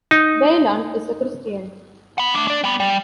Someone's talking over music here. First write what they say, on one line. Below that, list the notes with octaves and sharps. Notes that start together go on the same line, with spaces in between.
Bailon is a Christian.
D#4
F#5 B5
A3 D4
D4 D5
G3 B3
G3